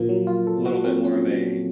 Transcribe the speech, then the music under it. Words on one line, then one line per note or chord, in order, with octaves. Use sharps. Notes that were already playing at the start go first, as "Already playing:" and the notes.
little bit more of a,
Already playing: A#2 F3 A#3
F#3
F4
A4
F#4
C4
C#4